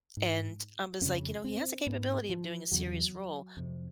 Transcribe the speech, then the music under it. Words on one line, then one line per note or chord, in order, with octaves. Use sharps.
and I was, like, "You know, he has the capability of doing a serious role."
G#2
F2 C#3 C#4
C4
G#2 B3
F3
E2 C#3 F#3
F2 C3